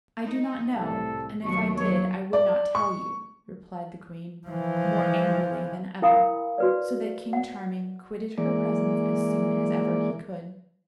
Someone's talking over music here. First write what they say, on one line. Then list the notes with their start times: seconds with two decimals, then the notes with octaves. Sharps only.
"I do not know; and if I did, I would not tell you," replied the queen, more angrily than ever; so that King Charming quitted her presence as soon as ever he could.
0.24 D#4
0.74 C2 A2 A4
1.42 D#2 B2 F#3 D4 C#6
1.76 F#3 C#5
2.33 D5
2.75 C#6
4.47 E3 F3
6.02 E4 A#4 F5 G5 B5 D#6
6.58 F#4 B4 D5
7.33 F#5
8.38 E3 G#3 A#3 D5